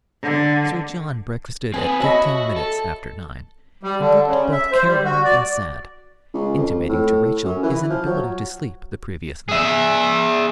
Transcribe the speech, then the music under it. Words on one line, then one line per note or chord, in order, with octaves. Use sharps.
Sir John breakfasted at fifteen minutes after nine, and looked both careworn and sad, intimating to Rachel his inability to sleep the previous night.
D3
C4 B4 G#5
F#4 C#5 D#5 E5 A5 B5
A4
G3
D3
C#3
E5
C5
G3
F#4
D5
C#2
F2
A2
F#2
E3
F3
F#3
G#4 E5